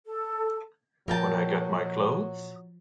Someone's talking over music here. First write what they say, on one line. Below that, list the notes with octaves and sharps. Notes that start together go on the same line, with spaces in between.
When I get my clothes?
A4
A#2 F3 F#3 A#3 A#4 G5 A5